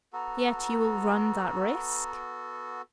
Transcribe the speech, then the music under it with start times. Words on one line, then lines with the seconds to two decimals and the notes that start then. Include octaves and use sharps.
"Yet you will run that risk?"
0.13 B3 F#4 A4 A#5